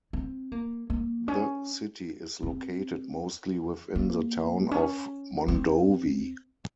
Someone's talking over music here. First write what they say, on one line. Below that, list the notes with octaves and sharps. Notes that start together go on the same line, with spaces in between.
The city is located mostly within the Town of Mondovi.
C4
A#3
A#3
C#4
C4
A#3
C#4
C4